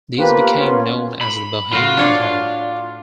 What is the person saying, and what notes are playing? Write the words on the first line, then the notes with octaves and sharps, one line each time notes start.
This became known as the "Bohemia Hall".
A#3 B3 F4 G4 B4 C5
A#3 B3 C#4 F4
B5
A2 F4 F#4
D4 C#5 D5